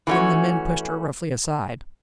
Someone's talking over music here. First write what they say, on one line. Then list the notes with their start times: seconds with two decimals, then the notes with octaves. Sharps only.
Then the men pushed her roughly aside.
0.07 E3 A3 C#4 F#4